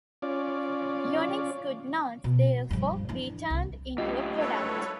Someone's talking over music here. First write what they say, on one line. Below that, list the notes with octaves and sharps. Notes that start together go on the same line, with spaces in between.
Unix could not, therefore, be turned into a product.
C#4 F4 D5
B2
G2 F3
E3 D4
C2
F#2 A2 F4 G4 D#5
A4 B4 C#5